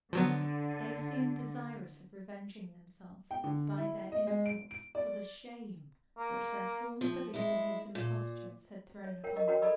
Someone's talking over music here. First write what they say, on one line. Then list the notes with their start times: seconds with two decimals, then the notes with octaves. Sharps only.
They seemed desirous of revenging themselves, by their insults, for the shame which their former belief of his impostures had thrown upon them.
0.13 D3 F3 F#3 B3
3.31 G5
3.44 D3
3.77 E4
4.12 D#5
4.27 G#3
4.46 D7
4.71 D7
4.95 D5
6.18 A#3
7.01 F3
7.34 G#3 E4
7.95 A#2
9.04 C#5
9.24 A#4 C#5 G5
9.36 A#4 D#5
9.48 F#4 A#4 B4 C#5 D#5 G5
9.62 A4 A#4 D5 D#5 B5 E6